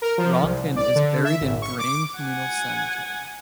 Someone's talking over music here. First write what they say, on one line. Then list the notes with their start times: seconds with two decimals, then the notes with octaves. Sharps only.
Ranken is buried in Braine Communal Cemetery.
0.02 A#4
0.18 F3
0.42 C2
0.76 D5
0.95 D3
1.25 E5
1.41 G#1
1.62 C#6
1.79 D6
2.19 F#5 G#5